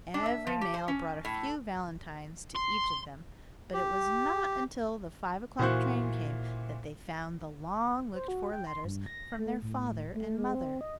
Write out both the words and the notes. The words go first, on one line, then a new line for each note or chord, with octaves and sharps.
Every mail brought a few valentines to each of them, but it was not until the five o'clock train came that they found the long-looked-for letters from their father and mother.
D4
E5
F3
G4
C5
C#4
A2
C6
G4
A#2 E3 F#4 C5 C#6 F#6
C5
F#4
G5
C6
G2
A#6
A3
A2
A3
G#3
C4
D#5